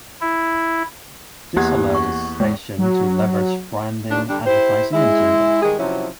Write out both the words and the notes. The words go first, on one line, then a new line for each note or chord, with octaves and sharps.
This allowed the station to leverage branding, advertising, and jingles.
E4
E2 A#3 G4 F#5 G#6
C#6
G#3
F#3
D#2 D4
D3 G3 D4
E4 G4 C5
G#3 E4
D#3 G3 G#3 G#4
C3 F3 F#3 C#4 E4